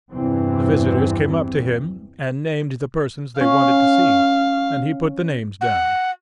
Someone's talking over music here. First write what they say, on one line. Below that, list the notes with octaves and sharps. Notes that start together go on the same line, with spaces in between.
The visitors came up to him, and named the persons they wanted to see, and he put the names down.
E2 G2 C3 E3 C4
C#4 F5
F#5